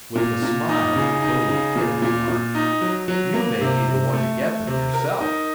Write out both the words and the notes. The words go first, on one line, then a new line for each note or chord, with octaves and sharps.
With a smile, "Billy the Kid" remarked: "You may be the one to get them yourself."
A#2
A#2
D#4
C#3
D#4
C#3
A#2
A#2
A#2
D#4
F#3
F#3
A#3
C3
C3
A3
A3
C3
A#4
D#4